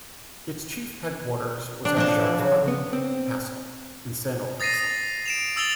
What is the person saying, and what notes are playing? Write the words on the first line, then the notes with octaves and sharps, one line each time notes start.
Its chief headquarters was at Sheriff Hutton Castle and Sandal Castle.
D4
D#2 A2 F3 C4 D4 A5
F#2 A4
C#3 F#3
B3
C4
D#6 A6 A#6 C7 D#7
D#6
D7 E7 F7
D#6 E6 A6 F7 G7